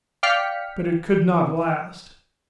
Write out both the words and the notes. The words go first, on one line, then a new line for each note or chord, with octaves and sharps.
But it could not last.
D5 F5 G5 F6 B6 C#7